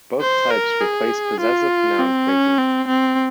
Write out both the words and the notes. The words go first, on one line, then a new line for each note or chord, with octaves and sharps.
Both types replace possessive noun phrases.
C5
A#4
G#4
F4
C4
C#4
C4
C4